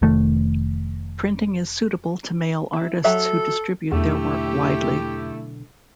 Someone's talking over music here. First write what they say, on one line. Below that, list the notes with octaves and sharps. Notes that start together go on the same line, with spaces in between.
Printing is suited to mail artists who distribute their work widely.
F1 D#3 A3
E4
F#3 A4 E5
B1 E2 D3 A3 E4 G4